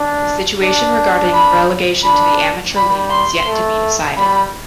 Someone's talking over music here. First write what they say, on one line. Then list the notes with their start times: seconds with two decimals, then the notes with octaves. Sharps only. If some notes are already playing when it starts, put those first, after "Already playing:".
The situation regarding relegation to the Amateur League has yet to be decided.
Already playing: D4
0.62 D4
1.33 B5
2.04 D4 B5
2.75 G3 B5
3.10 C6
3.46 A3
4.17 G3 B5